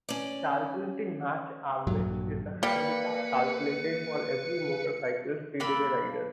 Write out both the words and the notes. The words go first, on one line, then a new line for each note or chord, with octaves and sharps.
Calculated Match Average is a handicap calculated for every motorcycle speedway rider.
C#4 D5
A#1 G2 F#3
G3 A#3 B4 C#7
A#3 D4 B5 E6